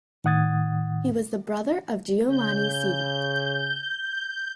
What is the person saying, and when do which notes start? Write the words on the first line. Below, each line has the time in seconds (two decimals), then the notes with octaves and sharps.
He was the brother of Giovanni Ceva.
0.24 A2 D#3 F#5 D#6 G#6 A6
2.29 C#3 G6